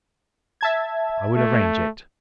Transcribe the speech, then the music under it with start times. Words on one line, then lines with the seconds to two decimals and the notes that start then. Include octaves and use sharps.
'I will arrange it.
0.61 E5 A5 G#6
1.36 A3